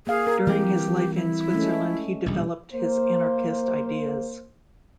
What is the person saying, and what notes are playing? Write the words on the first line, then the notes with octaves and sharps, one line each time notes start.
During his life in Switzerland, he developed his anarchist ideas.
A#3 G#4 F5
A#4
E3 G3 C4 G4
E4
G#3 A3 C#4
D#1 A#1 B2 G3
A#3 C5